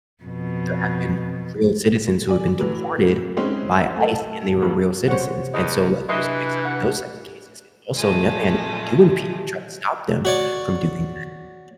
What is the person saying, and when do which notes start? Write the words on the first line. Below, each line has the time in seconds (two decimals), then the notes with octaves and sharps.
there have been real citizens who have been deported by ICE, and they were real citizens, and so, like, there's a mix-up in those types of cases, and also on the other hand, if you do impede and try to stop them from doing that,
0.24 F2 B2
2.29 D5 G#5
2.59 A2 E3 F#3
3.37 G#3 C4 C#4 D#4 E4
3.96 A3 A4
4.62 A1 F2 G#2 E3 F#3 G#3
5.08 C3 C5 C#5 F#5
5.54 E2 D#5
6.09 C3 E3 D4 D#5 E5 C6 F#6
6.65 F#5
7.94 A#2 F3 G#3 A3
10.25 F#4 C#5 D5